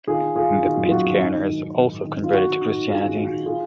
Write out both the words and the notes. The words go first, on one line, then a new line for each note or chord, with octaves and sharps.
The Pitcairners also converted to Christianity.
D#3 F4 G#4
D#3
D#3 F4 G#4
D#3
D#3 F#4
F#2
F4
F#2 F#4
D#3
G#2
D#3
D#3
D#3
D#3
G#2
D#3
D#3
F4
D#3 F#4
D#3
D#3
G#2
G#2 F4 G#4
D#3
D#3 F#4
D#3
F4 G#4